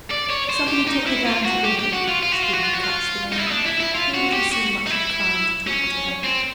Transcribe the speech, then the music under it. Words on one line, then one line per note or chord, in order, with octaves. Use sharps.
Somebody took her down to dinner; she did not catch the name; nor did he seem much inclined to talk to her.
D5
C#5
C5
G4
D#4
E4
F4
F#4
G4
G4
F#4
F4
F4
F#4
F4
F#4
F4
F#4
F4
D#4
E4
D#4
D4
E4
E4
F4
F#4
G4
F#4
D#4
E4
C#4
C4